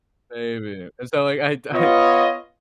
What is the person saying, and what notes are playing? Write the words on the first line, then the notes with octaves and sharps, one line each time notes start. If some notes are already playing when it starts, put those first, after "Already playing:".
Maybe. And so like, I d I
B3 F4 C#5 D#5